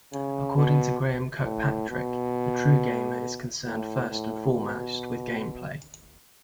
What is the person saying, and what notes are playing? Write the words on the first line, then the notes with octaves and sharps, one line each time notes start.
According to Graeme Kirkpatrick, the "true gamer" is concerned first and foremost with gameplay.
C#3
B2
A2
B2
A2
A2
B2